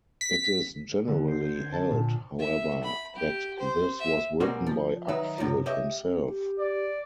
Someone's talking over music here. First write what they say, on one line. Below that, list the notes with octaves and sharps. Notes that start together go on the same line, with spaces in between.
It is generally held, however, that this was written by Upfield himself.
B6
D3
C5
G6
G#6
A5
A#2
E5
B5
G4
C5
E5
B1 G3 G#3 A#3 C4 F#4
F3
D#3 F#3 D#4 B4 E5
F#2 C3 F3 F#3
G4 C#5 D#5 E5
G4
D5